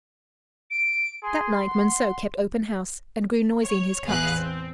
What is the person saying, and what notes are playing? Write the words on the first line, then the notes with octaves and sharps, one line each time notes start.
That night Monceux kept open house and grew noisy in his cups.
D7
G#4 C6
F#5
C#5
A1 E2 G#4 B4 F5 F#6
C4